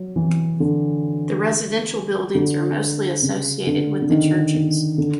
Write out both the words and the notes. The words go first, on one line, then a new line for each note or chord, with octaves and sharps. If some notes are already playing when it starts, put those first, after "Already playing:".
The residential buildings are mostly associated with the churches.
Already playing: F#3
E3
D3
D3
C#3
D3
D3
D#3
D#3
D3